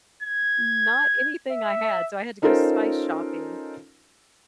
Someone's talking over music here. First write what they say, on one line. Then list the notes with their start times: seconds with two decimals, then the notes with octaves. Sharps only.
not anything I had, so I had to go spice shopping,
0.22 G#6
1.51 E5
2.42 C#4 D#4 F4 A4 A#4 C5